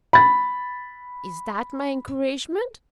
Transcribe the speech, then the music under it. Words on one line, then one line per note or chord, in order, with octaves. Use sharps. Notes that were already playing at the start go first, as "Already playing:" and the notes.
Is that my encouragement?'
B5 A6